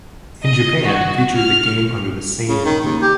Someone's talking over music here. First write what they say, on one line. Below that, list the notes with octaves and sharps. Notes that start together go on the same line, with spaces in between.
In Japan, featured the game under the same name.
D#5
F#4
F6
C#3
D#3
D#2
G4